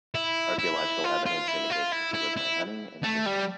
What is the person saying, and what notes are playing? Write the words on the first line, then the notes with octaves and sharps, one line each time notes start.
Archaeological evidence indicates that they lived by hunting and fishing.
E4
E4
F4
F4
E4
F4
E4
E4
E4
A3
G3